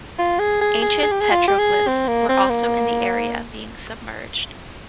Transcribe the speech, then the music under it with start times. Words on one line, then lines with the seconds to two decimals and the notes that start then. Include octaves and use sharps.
Ancient petroglyphs were also in the area being submerged.
0.19 F4
0.39 G#4
0.61 G#4
0.82 G#4
1.03 G#4
1.12 G4
1.21 G#4
1.32 F4
1.48 G4
1.59 G#4
1.88 C4
2.08 A#3
2.29 C4
2.50 A#3